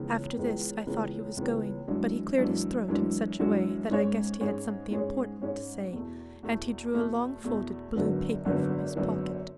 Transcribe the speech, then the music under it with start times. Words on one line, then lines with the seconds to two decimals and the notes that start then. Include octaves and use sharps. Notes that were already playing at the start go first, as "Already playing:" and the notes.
After this I thought he was going, but he cleared his throat in such a way that I guessed he had something important to say, and he drew a long folded blue paper from his pocket.
Already playing: C#2 C#3 E3 B3
0.36 C#2 C#3 E3 B3
0.86 C#2 C#3 E3 B3
1.37 C#2 C#3 E3 B3
1.88 F#2 E3 G#3 D4 F#4
2.38 F#2 E3 G#3 D4 F#4
2.88 F#2 E3 G#3 D4 F#4
3.39 F#2 E3 G#3 D4 F#4
3.90 G#2 G#3 C#4 G#4 C#5
4.40 G#2 G#3 C#4 G#4 C#5
4.91 G#2 G#3 C#4 G#4 C#5
5.41 G#2 G#3 C#4 G#4 C#5
5.92 E2 B2 A3
6.43 E2 B2 A3
6.93 E2 B2 A3
7.44 E2 B2 A3
7.94 G#1 F#2 D3 F#3 B3
8.45 G#1 F#2 D3 F#3 B3
8.96 G#1 F#2 D3 F#3 B3